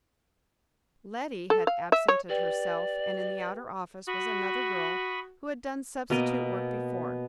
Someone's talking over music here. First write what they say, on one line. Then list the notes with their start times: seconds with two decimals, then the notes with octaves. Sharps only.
Letty had absented herself and in the outer office was another girl, who had done substitute work before.
1.50 A4
1.67 F5
1.92 E5
2.08 C#5
2.29 G4 B4 D5 G5
4.08 F#4 B5 C#6 D#6
6.10 B2 A#3 A#4 D#5